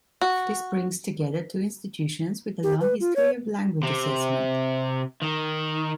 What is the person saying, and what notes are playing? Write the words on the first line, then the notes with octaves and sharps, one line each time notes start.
This brings together two institutions with a long history of language assessment.
F#4
G4
B4
F4
C#5
C3
D#3